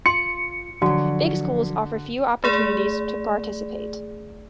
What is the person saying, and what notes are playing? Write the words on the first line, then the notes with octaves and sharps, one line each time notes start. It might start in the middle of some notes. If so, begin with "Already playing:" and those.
Big schools offer few opportunities to participate.
F4 C6 C#7
D3 F3 F#3 F#4
A3 G#4 D5